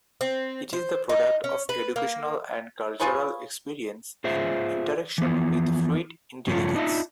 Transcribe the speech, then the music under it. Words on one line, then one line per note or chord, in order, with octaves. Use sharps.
It is the product of educational and cultural experience in interaction with fluid intelligence.
C4
C5
D#4
C#4
B4
A#3
F4 G#4 B4 C#5
F4 G#4 C5 E5
E3 F3 B3
G2 C#3 F3 A3 C#4 F4
D4 D#4 F4 B4 D#5 E5